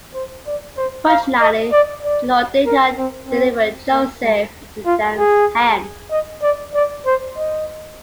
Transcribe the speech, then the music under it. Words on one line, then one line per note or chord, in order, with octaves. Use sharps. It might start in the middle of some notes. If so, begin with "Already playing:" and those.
Fortunately, the Lord did not deliver Joseph into Dan's hands.
C5
D5
C5
F5
D#5
D5
D5
A#4
C4
C4
A#3
G#3
F4
G#4
D#5
D5
D5
C5
D#5